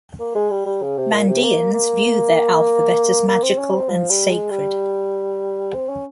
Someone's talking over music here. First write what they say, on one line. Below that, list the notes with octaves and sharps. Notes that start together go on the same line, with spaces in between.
Mandaeans view their alphabet as magical and sacred.
A#3
G#3
G3
G3
C#3
C3
A#2
C3
A#3
A#3
A#3
C4
C#4
C4
F3
G3
G#3
G3
C4
C#4